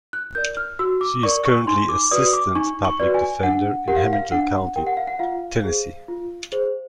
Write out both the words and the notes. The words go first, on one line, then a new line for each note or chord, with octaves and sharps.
She is currently Assistant Public Defender in Hamilton County, Tennessee.
F#6
A#4 D5 G6
F6
F#4 E6
D6
A#4 D5 C#6
C#6
D#4 C6
D6
F#4 B4 D5 D#6
D6
D#4 C#6
C#6
F#4 B4 D5
G#5
D4 F#5
G4 A#4 F#5
F5
F5
D4 F#5
G4 A#4 G5
F#5
F5
F#5
F4 F5
G#4 C5
F4
G#4 C5